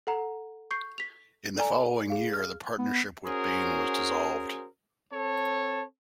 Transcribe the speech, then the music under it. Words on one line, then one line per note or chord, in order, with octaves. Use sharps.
In the following year the partnership with Baine was dissolved.
A4 F#5 A#5
C#6 G6 C7
B6 F7
A4 D5 G#5 A#5
G#4 F5
F6
B3
C#4 F#4 G#4 A#4 C5
C4 A4 C#5 A5